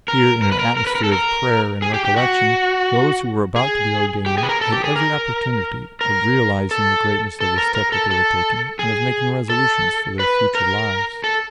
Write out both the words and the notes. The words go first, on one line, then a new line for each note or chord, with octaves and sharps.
Here, in an atmosphere of prayer and recollection, those who were about to be ordained had every opportunity of realizing the greatness of the step that they were taking and of making resolutions for their future lives.
A#4
A#4
B4
A#4
A#4
B4
A#4
A4
A#4
G#4
G4
G4
F#4
G#4
G4
G#4
B4
A#4
A4
G4
G#4
A#4
A#4
A4
A4
A#4
A#4
A4
A4
G#4
A4
B4
A#4
A4